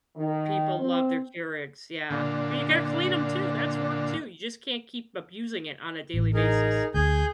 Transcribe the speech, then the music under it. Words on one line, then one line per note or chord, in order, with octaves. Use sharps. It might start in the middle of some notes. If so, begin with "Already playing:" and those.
People love their Keurigs, yeah. But you gotta clean 'em too, that's work too. You just can't keep abusing it on a daily basis.
D#3
C4
A#2 D3
A1
D#4 G#4 A#4
D2 G#4 G#5 G6